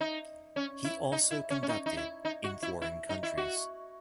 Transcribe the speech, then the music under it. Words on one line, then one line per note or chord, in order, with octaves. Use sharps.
He also conducted in foreign countries.
D#4
C#4
E4
D#4
E4
C#4
C#4
D#4
D#4
E4
D#4
F#4
E4
E4
D#4
E4
F#4